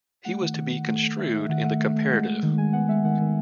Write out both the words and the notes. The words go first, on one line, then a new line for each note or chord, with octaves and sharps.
He was to be construed in the comparative.
A3 F#5
D#3
D#3
D#3
A3
A3
A3 E5
A3 E5
D#3 F#5
A3 F#5
A3
A3
G#3
G#3
D#3
G#3 G#5
B3 F#5
G#3 E5
D#3 F#5
D#3